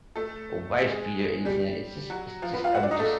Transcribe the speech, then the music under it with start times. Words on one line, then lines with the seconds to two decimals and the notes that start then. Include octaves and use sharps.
a a wife beater or anything. It's just it's just I'm just
0.16 A3 A4
0.80 G#3 G#4
1.45 G3 G4
2.10 F#3 F#4
2.42 F3 F4
2.53 B3 B4
2.64 F4 F5
2.75 F#4 F#5
2.83 D4 D5
2.91 D#4 D#5
2.99 A3 A4